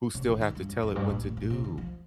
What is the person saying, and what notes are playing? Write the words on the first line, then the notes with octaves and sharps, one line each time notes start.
who still have to tell it what to do.
C3
D#3
D#3
G2
F2
F2
G2
A#2
A#2
A#2
C3
D#3
F3